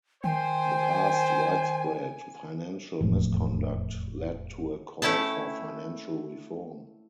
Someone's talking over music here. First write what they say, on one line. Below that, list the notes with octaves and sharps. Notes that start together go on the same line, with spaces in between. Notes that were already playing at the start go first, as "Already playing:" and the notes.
The past widespread financial misconduct led to a call for financial reform.
D#3 C5 G5 G#5
E1 F2 A2
A3 C#4 E4 G5 A5